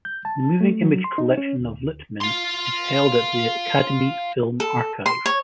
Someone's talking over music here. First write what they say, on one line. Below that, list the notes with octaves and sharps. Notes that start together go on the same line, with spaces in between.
The moving image collection of Littman is held at the Academy Film Archive.
G6
A5
A3
F#3
C6
D#4
C#4
D2
F5 C6
A4
C6
C#5